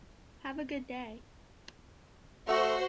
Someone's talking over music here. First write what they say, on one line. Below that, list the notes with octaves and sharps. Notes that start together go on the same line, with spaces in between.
Have a good day.
A3 F#4 C5